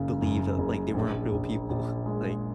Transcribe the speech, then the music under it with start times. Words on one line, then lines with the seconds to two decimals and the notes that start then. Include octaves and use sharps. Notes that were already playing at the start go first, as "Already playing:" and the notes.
believe that, like, they weren't real people, like,
Already playing: F#1 C#3
0.21 F#2
0.58 F#1
0.94 A#1
1.32 A#1
1.69 A#1
2.06 G#3